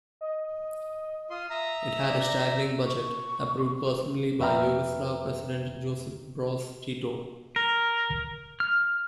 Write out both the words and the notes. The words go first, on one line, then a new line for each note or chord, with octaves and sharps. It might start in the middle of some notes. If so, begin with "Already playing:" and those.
It had a staggering budget approved personally by Yugoslav president Josip Broz Tito.
D#5
F4 C6 D#6
E5 A#5 D#6
D5
C#6
F2 B4 E5 G5 A#5 F6
A#4
F6